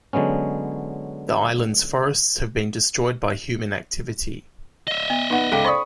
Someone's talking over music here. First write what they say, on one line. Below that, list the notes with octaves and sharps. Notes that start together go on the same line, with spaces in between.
The island's forests have been destroyed by human activity.
D3 F#3 G#3 B3 C#4
D#5 E5
B3
B3 D#4 F#5
C#2 A4 F5 G5 D6 B6
C5 D5 B5 C#6 D#6